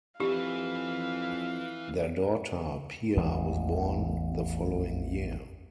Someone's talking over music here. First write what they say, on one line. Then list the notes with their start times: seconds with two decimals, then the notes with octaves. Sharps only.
Their daughter, Pia, was born the following year.
0.20 F2 E4 G4 B4 F5
3.17 A1 E2 G#3